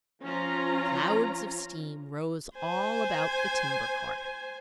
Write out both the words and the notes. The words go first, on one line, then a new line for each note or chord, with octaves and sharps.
Clouds of steam rose all about the timber cart.
F3 C#4 F4 A#5
C5 G#5